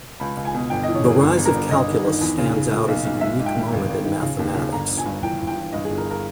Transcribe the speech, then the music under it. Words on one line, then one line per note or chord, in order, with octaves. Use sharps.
The rise of calculus stands out as a unique moment in mathematics.
C#2 B5
C#2
G#5
B2
G1 G5
E3 D#5
C#5
G1 G#4
G1
G1
A#4
G1
G1 D#5
D#3
D#3
E2
C#3
C#3
A#2
B1
B1
G#2 E5
G#2
G5
D#3
G#1
G#1
D#3
C#3
D#2
C#3
G1 A#5
G1
G#5
G2
E3 G5
E3
G5
E3
G2 D#5
G#4
G1
A#4
A#4